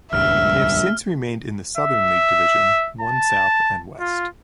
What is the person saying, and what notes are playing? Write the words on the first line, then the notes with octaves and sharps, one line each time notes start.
They have since remained in the Southern League Division One South and West.
D#1 C#2 G2 E5 F6
E5
A5
F4